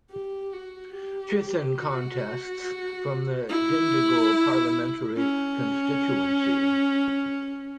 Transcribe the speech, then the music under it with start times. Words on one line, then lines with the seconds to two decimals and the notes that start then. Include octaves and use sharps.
Chithan contests from the Dindigul Parliamentary constituency.
0.11 G4
0.53 F#4
0.95 G4
1.80 F#4
3.49 E4
5.17 C#4